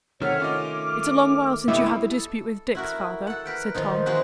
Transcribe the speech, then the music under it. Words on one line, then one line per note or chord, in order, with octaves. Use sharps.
"It's a long while since you had the dispute with Dix, father," said Tom.
C3 D#3 A3 C#5 F#5 F6
C#4 F4 D#5 D6
A2 D3 A#3 B3 E4 G4 D#5
A4
E4 F#4 A#4
A4 F#5
A#4 B4 G5
A#2 D#3 F3 D#4
E3 G#3 C4 D#4 F#4